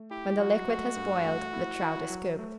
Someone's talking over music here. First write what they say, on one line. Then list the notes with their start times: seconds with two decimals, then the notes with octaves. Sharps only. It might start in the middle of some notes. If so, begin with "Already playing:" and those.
When the liquid has boiled the trout is cooked.
Already playing: A3
0.11 E4 G4
0.39 F#3 F#4
0.67 A3
0.96 G2
1.25 A3
1.53 E4
1.82 E4
2.10 F#3
2.39 A3